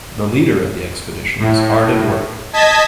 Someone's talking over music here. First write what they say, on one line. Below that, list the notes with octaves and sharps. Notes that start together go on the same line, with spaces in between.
The leader of the expedition is hard at work.
A2
D#5 A5 G#6 B6